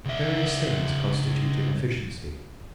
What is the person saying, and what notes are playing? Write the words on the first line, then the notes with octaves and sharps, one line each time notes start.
Various things constitute inefficiency.
C#2 E5